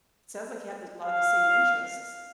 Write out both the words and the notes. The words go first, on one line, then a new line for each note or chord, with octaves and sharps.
sounds like you have the a lotta the same interests.
F5